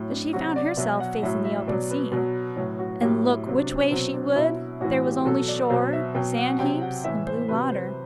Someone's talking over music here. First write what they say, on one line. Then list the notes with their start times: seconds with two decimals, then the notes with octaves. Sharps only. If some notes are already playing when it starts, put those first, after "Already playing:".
But she found herself facing the open sea, and look which way she would there was only shore, sand heaps and blue water.
Already playing: A2 F#3
0.11 D4
0.33 C3 F#3 F#4
0.56 D5
0.77 B2 F#3 E5
1.00 F#5
1.23 A2 F#3 E5
1.45 E5
1.68 B2 F#3 D5
1.90 B4
2.12 B2 F#3
2.56 A2 F#3
2.79 F#4
3.02 A2 F#3 G4
3.24 E4
3.46 C3 F#3
3.58 D4
3.69 C4
3.91 B2 F#3 C4
4.14 D4
4.36 B2 F#3 E4
4.81 A2 E3 F#4
5.03 G4
5.25 B2 F#3 A4
5.48 D5
5.70 B2 F#3 C5
5.93 E5
6.15 B2 F#3 G5
6.38 F#5
6.59 C3 F#3 G5
6.82 F#5
7.04 A2 E3 E5
7.27 C5
7.48 C3 F#3 B4
7.72 C5